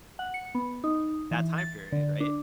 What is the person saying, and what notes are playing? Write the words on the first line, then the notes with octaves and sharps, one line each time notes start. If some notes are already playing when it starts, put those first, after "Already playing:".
that time period, right?
F#5
C#7
B3
D#4
E3
A6
D3
D4